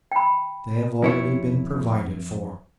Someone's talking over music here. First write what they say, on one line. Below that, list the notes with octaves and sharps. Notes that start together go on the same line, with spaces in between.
They have already been provided for.
G5 B5
F2 E4 C#5